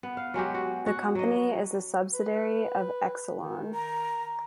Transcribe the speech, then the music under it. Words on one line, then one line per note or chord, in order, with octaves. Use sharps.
The company is a subsidiary of Exelon.
B3
F5
F#3 G#3 F#4 G4
F#4
F#4
F#3 D#5
B4
D#3
A#5